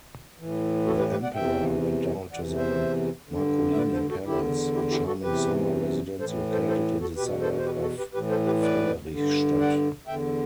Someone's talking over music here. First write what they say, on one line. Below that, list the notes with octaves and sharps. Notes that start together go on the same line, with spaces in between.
The Emperor went down to the Marcolini Palace, a charming summer residence located in the suburb of Frederichstadt.
A2 E3
F#4 A4
G4 B4
G4 B4
D5 F#5
E2 C3 E3 E5 G5
E2 C3 E3 D5 F#5
C5 E5
G2 D3
E5
B4 D5
A4 C5
F#4 A4
E2 D3 E4 G4
E4 G4
E4 G4
F#4 A4
E2 C3 E3 G4 B4
A2 E3 A4 C5
A4 C5
A4 C5
F#4 A4
E2 B2 G4 B4
A4 C5
C5
G4 B4
F#4 A4
G4 B4
A2 E3 G4 B4
A4 C5
G4 B4
B4 D5
G2 D3
D5 F#5
E2 D3 E5 G5